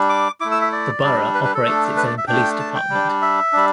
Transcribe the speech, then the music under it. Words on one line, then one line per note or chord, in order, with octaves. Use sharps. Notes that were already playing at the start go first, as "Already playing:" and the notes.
The Borough operates its own police department.
Already playing: G3 D4
D6
A3 E4 D6
E6
E5
D5
G3 D4
B4
B4
A4
A3 D4
B4
D5
E5
A3 D4 G5
A5
G5
G3 D4
E5
G3 D4